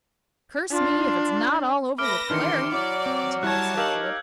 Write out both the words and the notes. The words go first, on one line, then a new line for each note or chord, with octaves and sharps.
"Curse me, if it's not all over with Clary," continued Sir Philip.
D4 F4
A3 B4 B5 D6 F6 A#6 D7
C3 D#3 E3 D4 C6 F6 C#7
F#3 E4 D5
C4
G3 E4 C#5 A5 F#6 G#6
D#4 G4 A#4 F5 E6 G6 F#7